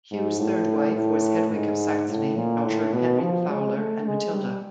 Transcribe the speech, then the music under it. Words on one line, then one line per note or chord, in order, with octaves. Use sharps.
Hugh's third wife was Hedwig of Saxony, daughter of Henry the Fowler and Matilda.
G#2
A2
A2
G#2
A2
A#2
A2
B2
F3
G#3
A3
G#3
G3